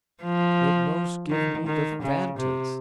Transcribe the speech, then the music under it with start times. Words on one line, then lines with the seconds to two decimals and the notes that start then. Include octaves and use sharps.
It most give me the fan-tods.
0.24 F3
1.30 D#3
1.67 D#3
2.03 C#3
2.39 C3